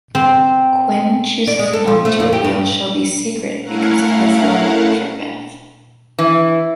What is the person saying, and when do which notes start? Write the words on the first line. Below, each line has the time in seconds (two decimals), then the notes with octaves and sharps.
Quinn chooses not to reveal Shelby’s secret because of his love for Beth.
0.15 C4
1.47 D5
1.59 G#3
1.73 A4
1.87 F3
2.05 A3
2.20 F2
2.33 G4
2.44 G2
3.60 A3 C#4 E4 A#4 F5 F#5
6.19 E3